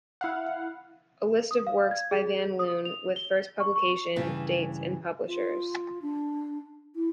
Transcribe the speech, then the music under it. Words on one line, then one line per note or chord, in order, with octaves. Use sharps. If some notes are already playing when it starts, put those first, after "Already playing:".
A list of works by van Loon, with first publication dates and publishers.
E4 F5 F#5
D#6
F5
G#6
G#4
D#6
F7
G7
C#6
C#6
G2 C#3 E3 B4
F4
D4
E4